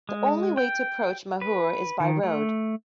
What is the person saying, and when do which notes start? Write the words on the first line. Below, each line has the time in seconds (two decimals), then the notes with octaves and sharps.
The only way to approach Mahur is by Road.
0.09 G#3
0.57 G5
1.41 B4
2.00 D#3
2.23 A3